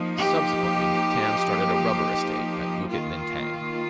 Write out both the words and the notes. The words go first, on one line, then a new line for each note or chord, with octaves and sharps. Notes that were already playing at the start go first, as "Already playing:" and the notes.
Subsequently, Tan started a rubber estate at Bukit Lintang.
Already playing: F3 A#3 D#4
G4
D#3 A#3 F4